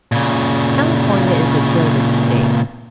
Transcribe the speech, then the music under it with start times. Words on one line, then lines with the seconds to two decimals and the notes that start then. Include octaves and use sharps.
California is a gilded state.
0.12 A#2 C#3